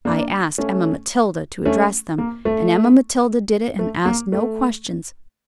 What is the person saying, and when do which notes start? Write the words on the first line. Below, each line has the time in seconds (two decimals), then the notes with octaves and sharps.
I asked Emma Matilda to address them, and Emma Matilda did it and asked no questions.
0.05 A#3 D4
0.58 A3 C#4
1.65 A3 C#4
2.18 A#3
2.45 A3
3.79 A3
4.05 A#3
4.32 A3